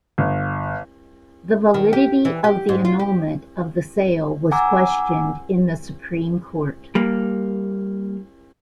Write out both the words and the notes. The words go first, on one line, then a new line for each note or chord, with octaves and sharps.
The validity of the annulment of the sale was questioned in the Supreme Court.
G1
D#3
G4
E3
G4
G#2
F4
G4
F#5 G#5 A#5 D6 E6
G3 A#3